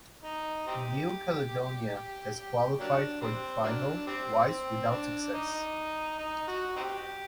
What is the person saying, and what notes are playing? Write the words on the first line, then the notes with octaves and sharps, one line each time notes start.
New Caledonia has qualified for the final twice without success.
D#4
C4 D#4 G4
F#3 A#3 D4
G3 C4
F#3 A#3 D4
G3 C4
C4
D4
D#4
D#4
F#4
C4 D#4 G4